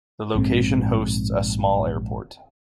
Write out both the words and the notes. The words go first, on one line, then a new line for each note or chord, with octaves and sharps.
The location hosts a small airport.
A#1 G#2 C4